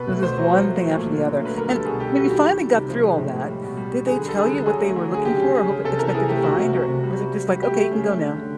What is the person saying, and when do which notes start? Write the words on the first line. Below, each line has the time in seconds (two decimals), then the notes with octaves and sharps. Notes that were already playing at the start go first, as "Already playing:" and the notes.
This is one thing after the other, and when you finally got through all that, did they tell you what they were looking for? Or hope expected to find? Or was it just like, "Okay, you can go now?"
Already playing: B2 B4
0.08 A3
0.23 B2 C5
0.38 F#3
0.53 F3
0.67 A3
0.82 A3
0.96 A#2
1.12 D3
1.27 F#3
1.41 A3 B4
1.56 D3 A#4
1.70 G3 A4
1.85 B2 G#4
2.00 B2 G4
2.15 G3 F#4
2.30 D#3 G4
2.45 G3
2.59 G3
2.74 C3
2.89 F3
3.04 G#3
3.18 A2
3.33 G#3
3.48 G3
3.63 B2
3.77 G3
3.92 G3
4.07 D3 G#4
4.22 G3
4.29 A4
4.37 D3 G#4
4.51 D3
4.66 F#3 G#4
4.81 A3
4.96 F#3
5.10 D3 G#4
5.25 C#3 G4
5.40 C#3
5.55 C#3 G#4
5.69 C#3
5.84 C3 A4
5.99 E3 A#4
6.08 A4
6.14 E3 G#4
6.29 A3 G4
6.43 C3 F#4
6.59 C3
6.73 C3
6.88 C3
7.03 G3
7.18 G3
7.33 G3
7.47 G3
7.63 A3 G4
7.76 A3
7.91 C#3
8.06 A3
8.22 D3
8.36 D3